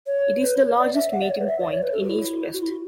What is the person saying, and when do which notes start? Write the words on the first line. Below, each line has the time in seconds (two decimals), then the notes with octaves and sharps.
It is the largest meeting-point in East-Pest.
0.07 C#5
0.43 B4
0.60 C#5
0.78 D5
0.94 E5
1.12 F#5
1.22 D5
1.30 C#5
1.40 B4
1.48 E5
1.60 D5
1.72 C#5
1.83 B4
1.92 A4
2.00 F#4
2.10 E4
2.54 F#4
2.62 E4
2.71 F#4